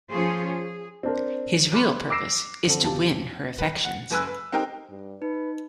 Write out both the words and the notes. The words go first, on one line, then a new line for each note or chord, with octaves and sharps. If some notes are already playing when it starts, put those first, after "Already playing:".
His real purpose is to win her affections.
F3 C#4 F4 G#4 C5 C#5
G#4
C4 D4 A#4
B5 C6 D6 F6 F#6
D6 E6 A#6 C7 D7 E7
D3 C4 A4
E2 B2 F4 G4 A5
B4
F#5
F#1 B4 G#5 E6 F#6
B4
C4 D#4 G4 A#4 G5
G2
D#4 B4